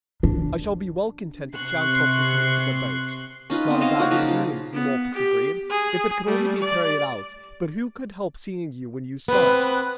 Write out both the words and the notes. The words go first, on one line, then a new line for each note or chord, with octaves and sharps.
I shall be well content if chance helps us into the boat." "Not a bad scheme," Eumolpus agreed, "if it could only be carried out: but who could help seeing you when you start?
D4
C3 C6 C#6 F#6 C7
C#4 D#4 F4 B4
B3 C4
C5 C#5 D#5 F5
F#3 A#3 F#4
C#3 F3 D#4
F4
B3
G4
G#4
G3 A3
D5
B3 C4 B4